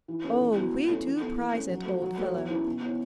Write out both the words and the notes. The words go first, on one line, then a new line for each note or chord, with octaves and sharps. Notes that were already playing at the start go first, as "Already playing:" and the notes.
Oh, we do prize it, old fellow!
E3
C#4 E4 A4
E2
E3 B3 F#4
C#2
C#3 A3 C#4 E4
E3
B3 E4 A4
E3
A3 C#4
F#3
A3 F#4
F#3
A3 F#4 C#5
E2
E3 C#4 E4 B4
B2
B3 E4 C#5